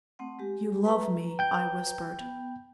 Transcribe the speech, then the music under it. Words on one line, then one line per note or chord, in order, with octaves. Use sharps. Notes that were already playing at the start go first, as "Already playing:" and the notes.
"You love me!" I whispered.
A3 C4 F#5
G#3 G4
B4 A#5
G5 G6
B3